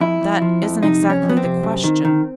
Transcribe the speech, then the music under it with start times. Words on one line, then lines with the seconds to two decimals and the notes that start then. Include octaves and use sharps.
'That isn't exactly the question.
0.01 F2 E4
0.21 F2
0.42 F3
0.62 F2
0.83 C3 D#4
1.03 F2
1.10 C#4
1.23 F2
1.30 B3
1.37 C4
1.43 C3
1.63 F#2
1.84 D#3
2.05 D#3